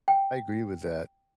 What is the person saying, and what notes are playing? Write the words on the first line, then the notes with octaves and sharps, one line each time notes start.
I agree with that.
G5